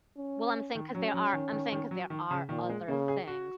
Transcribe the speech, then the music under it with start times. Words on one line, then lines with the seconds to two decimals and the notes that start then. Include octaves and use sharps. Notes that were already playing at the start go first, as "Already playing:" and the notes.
Well, I'm saying 'cause there are I'm saying 'cause there are other things
0.17 C#4
0.75 D#3
0.94 F#3 C#4
1.14 F#3
1.33 D#3
1.52 D#3
1.72 D#3
1.91 F#3
2.10 D#3
2.31 C#3
2.49 A#2 D#3
2.69 G#3
2.88 C#3 A#3
3.08 G#4
3.27 F#4